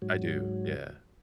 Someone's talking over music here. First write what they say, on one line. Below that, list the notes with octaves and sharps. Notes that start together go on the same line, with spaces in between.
I do, yeah.
G#2 F#3